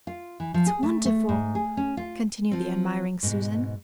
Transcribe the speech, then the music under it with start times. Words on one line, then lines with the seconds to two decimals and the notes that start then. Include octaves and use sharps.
"It's wonderful," continued the admiring Susan.
0.07 F4
0.40 E3
0.54 F3
0.66 G#4
0.83 A3
1.05 A3
1.29 G#2
1.55 G#4
1.77 C#4
1.97 F4
2.51 F3 C4
3.23 G#2 B2